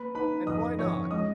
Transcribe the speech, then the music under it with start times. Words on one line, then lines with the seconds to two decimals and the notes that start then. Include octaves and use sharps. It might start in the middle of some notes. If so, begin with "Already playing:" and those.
"And why not?"
Already playing: A#3 B4 B5
0.15 D#4 B4 B5
0.46 F2 D#5 D#6
0.79 F2 C#5 C#6
1.11 G#3 D#5 D#6